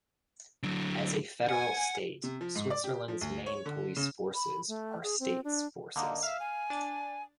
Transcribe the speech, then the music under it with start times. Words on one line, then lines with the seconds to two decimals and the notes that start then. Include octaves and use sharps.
As a federal State, Switzerland's main police forces are states forces.
0.63 D3 F#3
1.49 F#5 G#5
2.23 C3
2.41 F3
2.55 G#2
2.70 D5
2.84 G4
3.08 F3
3.21 D2
3.46 C#5
3.66 D3
3.96 C#3
4.34 B5
4.68 A3
5.03 G#4
5.20 C4
5.44 D4
5.96 D3 A#3 D#4
6.23 E5 F5
6.40 G#5
6.70 D4 A6